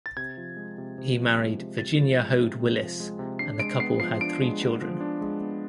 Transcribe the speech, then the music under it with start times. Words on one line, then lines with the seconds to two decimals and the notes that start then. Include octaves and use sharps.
He married Virginia Hode Willis and the couple had three children.
0.06 A6
0.17 C3 G#6
0.37 F3
0.57 G#3
0.78 C3
0.98 C3
1.18 F3
1.38 G#3
1.58 C3
1.78 C3 A6
1.99 F3
2.19 G#3
2.39 C3
2.59 C3
2.80 F3
3.00 G#3
3.19 C3
3.39 D4 C7
3.59 G#3 D7
3.80 B3 C7
4.00 F3 C7
4.21 D4 D7
4.41 G#3
4.61 B3
4.82 F3
5.01 D4
5.21 G#3
5.41 B3